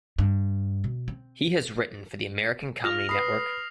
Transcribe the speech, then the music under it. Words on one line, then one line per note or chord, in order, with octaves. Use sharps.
He has written for the American Comedy Network.
G2
B2
C4
F4 F6 A#6 F7
B4 B5 D#6 C7